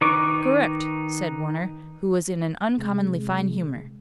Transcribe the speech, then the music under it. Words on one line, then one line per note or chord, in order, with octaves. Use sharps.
"Correct," said Warner, who was in an uncommonly fine humor.
D#3 D#4 B4 C#6 D6
C3 G#3